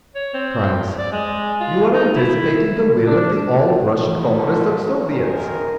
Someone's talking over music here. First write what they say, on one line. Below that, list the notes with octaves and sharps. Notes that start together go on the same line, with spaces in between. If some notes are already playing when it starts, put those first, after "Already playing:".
Cries, "You are anticipating the will of the All-Russian Congress of Soviets!"
C#5
C4
D5
G#3
F4
D#4
E4
D4
D3 F3 F#3 A3 A#3 D#4
A#1 F#2 D#3 G#4 A#4